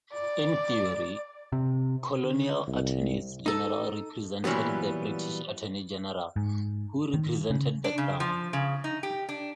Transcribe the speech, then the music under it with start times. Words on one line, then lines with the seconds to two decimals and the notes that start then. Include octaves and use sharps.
In theory, colonial Attorneys General represented the British Attorney General, who represented the Crown.
0.13 D5
1.52 C3
2.24 D3
2.68 C2
3.46 D#4 A4
4.44 A#2 E3 F#3 G3 B3
6.36 G#2
7.14 D#3
7.50 C#3
7.84 D4
7.98 C#3
8.20 F3
8.53 C#3
8.84 D#4
9.03 G4
9.29 D4